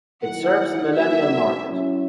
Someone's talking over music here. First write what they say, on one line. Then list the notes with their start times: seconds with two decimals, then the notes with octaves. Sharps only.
It serves the millennial market.
0.23 D#3 F#3 A#3 E4 F#5
0.95 F#3 A#3 D#4 F#4 E5
1.67 F#3 C#4 E4